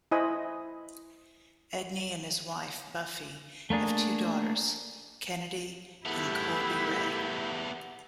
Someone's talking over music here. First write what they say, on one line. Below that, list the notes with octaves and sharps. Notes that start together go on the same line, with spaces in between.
Edney and his wife, Buffy, have two daughters, Kennedi and Kolbe-Rae.
E4 C5 D#5 G#5 B5 D#6
A3 A#3 D4 G#4
A3 B3 E4 G4